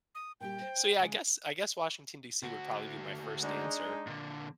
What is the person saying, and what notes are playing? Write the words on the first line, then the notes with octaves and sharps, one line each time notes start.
So, yeah, I guess I guess Washington DC would probably be my first answer,
D#6
A#2 G3 G4 G5
C5
C#3 G#3
D2 F#4
G#3 D4 D#4
A#2 D3